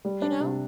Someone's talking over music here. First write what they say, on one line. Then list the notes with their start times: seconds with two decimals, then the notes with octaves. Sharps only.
You know?
0.05 G3
0.22 D4
0.40 C3